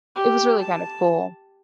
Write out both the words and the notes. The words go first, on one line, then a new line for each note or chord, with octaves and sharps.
it was really kind of cool.
G4
A5